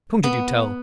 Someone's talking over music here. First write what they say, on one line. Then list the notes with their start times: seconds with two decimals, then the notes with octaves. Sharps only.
Whom did you tell?
0.24 B3